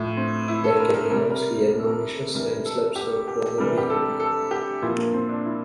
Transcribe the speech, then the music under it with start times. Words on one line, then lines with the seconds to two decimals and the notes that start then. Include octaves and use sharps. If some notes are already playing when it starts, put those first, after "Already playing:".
Back at the house, he admonishes and slaps her for her behavior.
Already playing: A2 F3
0.17 C4
0.48 E4
0.64 A4
0.79 A#4
0.94 A#4
1.09 C3 A#4
1.13 G3
1.30 A#4
1.73 A#4
1.80 A4
1.87 A#4
2.34 C3 E3 G3 A#4
2.65 A4
2.96 G4
3.28 G4
3.58 C3 E3 G3 A#4
3.78 G4
3.90 A4
4.20 A4
4.51 G4
4.82 A#2 F3 E4
4.98 A#3
5.14 C4
5.29 D4
5.45 E4